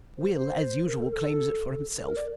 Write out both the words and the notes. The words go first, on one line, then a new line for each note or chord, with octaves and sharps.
Will, as usual, claims it for himself.
C5
C5
A#4
A4
A4
A#4
D5